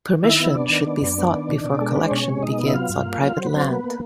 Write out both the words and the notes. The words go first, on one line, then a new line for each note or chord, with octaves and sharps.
Permission should be sought before collection begins on private land.
D#3 E4 E5
B3
B3 D4 D5
D#3
B3
F#2
B3
D#3
B2
B2
G#3 A4
A#4
G#3 B4
C5
B2 C#4 C#5
G#3
B2 D#4 D#5
B3
E5
F#3 F4 F5
G2
A#3
F#3
F#3 C5
B4
F#3 C4 C5
A#3 B3 B4
A#3